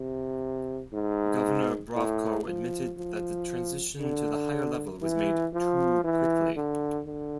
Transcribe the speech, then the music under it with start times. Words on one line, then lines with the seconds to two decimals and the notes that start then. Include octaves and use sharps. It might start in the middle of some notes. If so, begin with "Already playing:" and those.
Governor Brovko admitted that the transition to the higher level was made too quickly.
Already playing: C3
0.93 G#2
1.96 A2
2.47 F3
2.98 F3
4.00 D3
5.02 E3
5.53 F3
6.04 E3
6.56 D3
7.07 D3